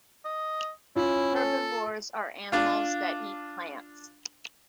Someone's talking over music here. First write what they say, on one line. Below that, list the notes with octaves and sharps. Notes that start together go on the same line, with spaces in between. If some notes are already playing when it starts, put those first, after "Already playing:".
Herbivores are animals that eat plants.
D#5
C#4 E4 F4
A4
D4 F4